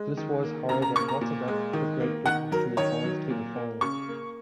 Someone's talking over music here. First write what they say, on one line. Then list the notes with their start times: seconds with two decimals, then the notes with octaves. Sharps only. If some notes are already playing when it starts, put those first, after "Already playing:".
This was however not enough for Great Britain to advance to the final.
Already playing: G#3
0.17 D#3
0.43 A#3
0.69 C#3 A#5
0.82 A#5
0.96 A#3 C#6
1.08 A#5
1.21 A#2
1.48 G#3
1.73 D#3
2.00 A#3
2.26 D#3 F#5
2.51 F#3 A#4
2.77 D#3 C#5
3.04 F#3
3.30 A#2
3.55 A#3
3.81 C#3 C#6
4.08 A#3